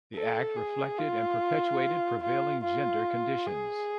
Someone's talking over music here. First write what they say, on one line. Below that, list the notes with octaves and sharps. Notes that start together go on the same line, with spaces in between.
The act reflected and perpetuated prevailing gender conditions.
A4
G#4
F4
F4
F4
G#4